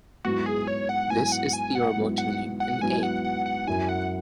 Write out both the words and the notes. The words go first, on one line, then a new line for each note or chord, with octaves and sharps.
This is theorbo tuning in A.
G#2 F#3 B3 E4 F#4
G#4
C#5
F#5
G#2 F#3 B3 E4 G#5
F#5
G#5
F#5
G#2 F#3 B3 E4
F#5
F#5
G#2 F#3 B3 E4 G#5
F#5
F#5
F#5
F#2 F#3 E4 G#5
F#5